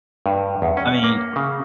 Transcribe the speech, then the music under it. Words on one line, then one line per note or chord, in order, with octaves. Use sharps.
I mean,
G2
E2
C#4
A#3
C#3